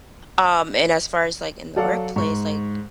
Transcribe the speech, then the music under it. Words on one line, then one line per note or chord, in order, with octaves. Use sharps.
um, and as far as, like, in the workplace, like,
F#3 A4 D5 F5 F#5
G#2 C#6